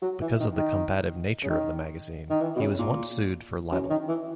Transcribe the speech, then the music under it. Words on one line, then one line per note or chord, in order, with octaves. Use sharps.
Because of the combative nature of the magazine, he was once sued for libel.
F#3
E3
D#3
D#3
C#3
D#3
D#3
E3
B2
C#3
A#2
F#2
D#3
E3